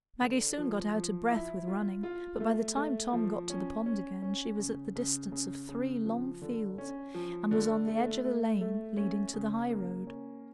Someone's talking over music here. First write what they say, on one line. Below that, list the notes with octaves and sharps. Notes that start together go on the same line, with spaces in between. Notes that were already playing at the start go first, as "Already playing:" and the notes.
Maggie soon got out of breath with running, but by the time Tom got to the pond again she was at the distance of three long fields, and was on the edge of the lane leading to the highroad.
D3
F3
F3
E4
F4
F4
A3
A3
F3
C#4
C#4
C#4
C#3
C#3
C#3
C#3
F3
D3
C#4
F3
D3
A3
A3
A3
C#4
C#3
A#3
C#4